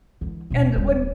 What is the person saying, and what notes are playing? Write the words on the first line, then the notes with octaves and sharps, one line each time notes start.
And when
D3 E3
D#1 B2
D#1 G3